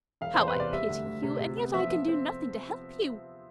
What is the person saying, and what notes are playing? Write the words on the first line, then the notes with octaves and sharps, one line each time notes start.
How I pity you; and yet I can do nothing to help you!
E1 F5
C5
E2
B4
C3 D5
G3 E5
D2
D2
C3
C3
B3
F3 E5
F3
C4